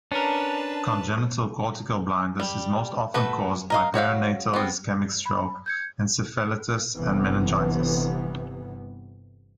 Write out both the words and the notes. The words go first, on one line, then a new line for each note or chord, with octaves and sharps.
Congenital cortical blindness is most often caused by perinatal ischemic stroke, encephalitis, and meningitis.
C#4 D4 A#4 B4 A5
G3
A3 F#4 A4 B4
A#4 D#5 F5
F#4 C#5 E5 F5
B3 C4
B5
G6 G#6 C#7
G1 C3 E3 B3